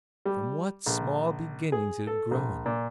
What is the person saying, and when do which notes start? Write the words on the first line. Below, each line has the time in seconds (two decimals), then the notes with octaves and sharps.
From what small beginnings it had grown!
0.25 G3
0.86 A#1
1.72 G#4
2.07 A4
2.31 A#1
2.66 A#2